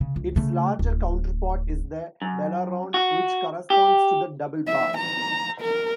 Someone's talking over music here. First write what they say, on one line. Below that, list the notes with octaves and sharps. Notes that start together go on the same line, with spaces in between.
Its larger counterpart is the "dalaruan", which corresponds to the double bass.
C#3
C#2
C#3 A3
D1
F#2
F#4
G4
E5
A#5
A#4